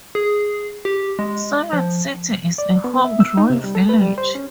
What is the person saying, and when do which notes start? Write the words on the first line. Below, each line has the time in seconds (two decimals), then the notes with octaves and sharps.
Cement City is a home rule village.
0.15 G#4
0.85 G4
1.19 G#3
1.73 F3
2.58 D5
2.84 B3
3.04 E5
3.20 E6
3.37 D#4
3.50 C3
3.64 G3
3.75 A4
3.89 B4
4.02 G3
4.18 C5
4.35 C#4